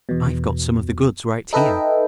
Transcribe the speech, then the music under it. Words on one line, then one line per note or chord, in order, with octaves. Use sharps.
I've got some of the goods right here.
E2 B2
D#4 A4 B4 D#5 E5 G5